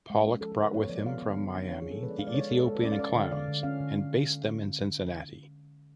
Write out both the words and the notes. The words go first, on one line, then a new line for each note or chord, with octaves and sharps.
Pollock brought with him from Miami the Ethiopian Clowns and based them in Cincinnati.
G#3
C#4
F3 A4
A4
D3
B4
B3 C#5
F3 D5
B3 F5
D3
B3
D4
C#4 C#5
G#4
F3 A4
G#3 B4
D5
G#3 F5
D5
G#3 C#5
G#3 A4
G#3 A4
B4
C#4 D5
F5
C#4 D5
D5
D3
F5
D3 D5
D3
C#4 F5
D3
C#4